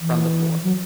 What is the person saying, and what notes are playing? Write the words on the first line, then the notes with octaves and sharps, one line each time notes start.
From the floor.
E3
F#3